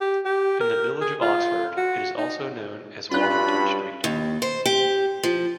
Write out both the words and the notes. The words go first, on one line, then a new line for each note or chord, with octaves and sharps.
In the Village of Oxford, it is also known as Washington Street.
G4
G4
A#4
G#4
F4
F#4
D#4
G2 C#4 D4 F4 F#4 B5 F#6
D#2
C5
G4
F3